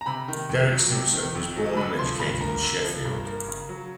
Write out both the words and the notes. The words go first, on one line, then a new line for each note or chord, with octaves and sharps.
Derek Simpson was born and educated in Sheffield.
A#5
C3 B5
D#3
F2
F#3
C3
D#3
F2
F#3
D3 B5
F3 C6
G2 B5
A#3 A#5
D3
F3
G2
A#3
C#3
F#3